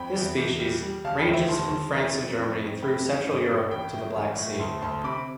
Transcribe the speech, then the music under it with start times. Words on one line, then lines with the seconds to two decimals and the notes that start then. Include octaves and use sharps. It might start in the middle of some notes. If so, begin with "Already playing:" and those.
The species ranges from France and Germany through central Europe to the Black Sea.
Already playing: F2 G5 B5
0.16 E2
0.37 E2
0.60 G3
0.82 G3
1.04 E1 F5 A5
1.19 G5 B5
1.27 D2
1.34 E5 G5
1.49 E1 A5 C6
1.71 E1
1.93 E3
2.15 F2
2.38 F2
2.60 F2
2.82 A3 G5 B5
3.05 A1
3.27 G2
3.49 G2
3.71 A1 G5 B5
3.93 A2
4.16 A1
4.38 A2
4.59 D2 A5 C6
4.81 D2 A5 C6
5.04 C3 B5 D6